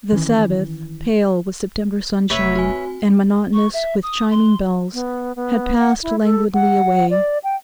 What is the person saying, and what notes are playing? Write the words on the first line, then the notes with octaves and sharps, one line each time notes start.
The Sabbath, pale with September sunshine, and monotonous with chiming bells, had passed languidly away.
D#3 E3 G#3 C#4
F1 B4 C#5 E5
F#4 G#5
C4
C#6
E5
D#6
C6
B3
B3
F#5
E4
A4
F#5
D5
G5